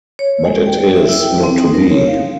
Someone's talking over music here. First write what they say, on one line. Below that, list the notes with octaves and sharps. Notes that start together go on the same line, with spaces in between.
But it is not to be.
C#5
G#3
G5
E5
E4
G5
C4
D#4
A#4
C#5
F5